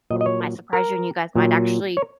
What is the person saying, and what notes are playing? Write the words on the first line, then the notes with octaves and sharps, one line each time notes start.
it might surprise you and you guys might actually
A#2 F#3 D#5
D#5
C#5
A#4
A#2 F#3
C#5